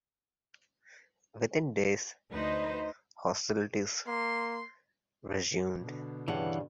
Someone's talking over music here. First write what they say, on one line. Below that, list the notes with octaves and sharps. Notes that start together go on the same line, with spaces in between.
Within days, hostilities resumed.
D2 D#4 B4 C5 D#5
A#3 C6
B2 D3
G2 C#3 E3 G3 F#5